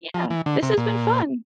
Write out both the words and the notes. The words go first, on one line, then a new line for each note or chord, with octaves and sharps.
Yeah, this has been fun.
F3
E3
D3
C3
A#2